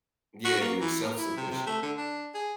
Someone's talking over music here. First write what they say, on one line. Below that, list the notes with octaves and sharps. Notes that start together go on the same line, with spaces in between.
Yeah. You're self-sufficient.
F#4
A#3
E3
A#3
E4
C3
C3
A3
D3
D4
G#4